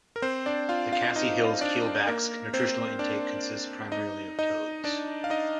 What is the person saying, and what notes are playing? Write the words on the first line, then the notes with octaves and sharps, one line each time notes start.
The Khasi Hills keelback's nutritional intake consists primarily of toads.
A#4
C4 C5
D4 D5
F4 F5
F4 F5
D#4 D#5
D4 D5
A#3 A#4
C4 C5
D4 D5
D#4 D#5
D#4 D#5
D4 D5
F5
D#4 D#5